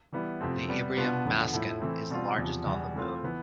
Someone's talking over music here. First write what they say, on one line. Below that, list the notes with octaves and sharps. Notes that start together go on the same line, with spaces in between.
The Imbrium mascon is the largest on the moon.
E3 G3 B3 E4
F2 C3 F3 A3 C4
C3 G3 B3
B2 B3 D4 F4
E2 D3 F3 B3
A2 F3 A3 E4
E3 A3 C4
B2 G3 C4 F4
E2 C3 F3
E2 B2 G3
E3 A3 C4 F4
E3 B3 E4